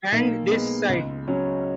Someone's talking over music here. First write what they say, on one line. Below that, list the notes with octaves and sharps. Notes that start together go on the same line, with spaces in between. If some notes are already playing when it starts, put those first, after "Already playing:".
And this site.
B1 A#3
G#3 B3
C#2
F#3 C#4